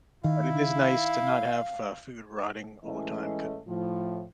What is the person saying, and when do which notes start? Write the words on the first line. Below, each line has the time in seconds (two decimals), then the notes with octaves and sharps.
But, it is nice to not have, uh, food rotting all the time, 'cause
0.24 D#3 E4 F5
2.84 A2 E3 G#3 A3 C#4 D#5
3.67 A2 F3